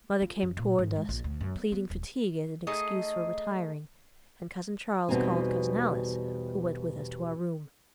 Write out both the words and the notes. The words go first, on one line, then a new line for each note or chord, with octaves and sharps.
Mother came toward us, pleading fatigue as an excuse for retiring, and Cousin Charles called Cousin Alice, who went with us to our room.
F4
F#2
A#2
G#2
G#3
A#1
D2
F#2
B3
B3
D#1
A3 D#4 G#4 D#5
E2 B2 G3 C4 D#4 G#5